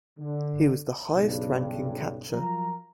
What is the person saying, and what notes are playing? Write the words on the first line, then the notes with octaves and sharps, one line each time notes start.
He was the highest-ranking catcher.
D3
B1 G2 C#3
F3 F#3 F4 A#4 A#5